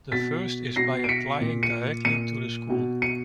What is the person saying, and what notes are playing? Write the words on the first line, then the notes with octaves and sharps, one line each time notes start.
The first is by applying directly to the school.
B2 A6 B6
B2 A#6 C7
D7
B6 C#7
A#2
C#7 D#7
A#2 C#7 D#7
B2
C#7 D#7